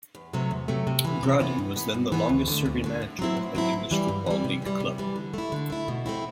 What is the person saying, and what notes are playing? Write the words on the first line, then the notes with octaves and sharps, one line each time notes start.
Gradi was then the longest serving manager of an English football league club.
E2
C3 F#3 A3
E2
C3 F#3 A3
C3
E3 B3
C3
E3 B3
G2
E3 B3
G2
E3 B3
D2
D3 A3
D2
D3 A3
A2
F#3 C4 E4
A2
F#3 C4 E4
G2
E3 G3
G2
E3 G3
C3
E3 G3
C3
E3 G3
D3
A3 E4
D3
A3 E4
B2
A3 C4 E4